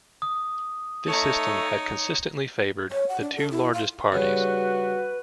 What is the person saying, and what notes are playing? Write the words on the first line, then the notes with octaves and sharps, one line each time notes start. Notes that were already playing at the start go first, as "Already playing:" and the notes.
This system had consistently favoured the two largest parties.
D#6
A3 D#4 C#5
C#5
F#5
D4
A4
E4
F5
G2 C#3 F#4 B4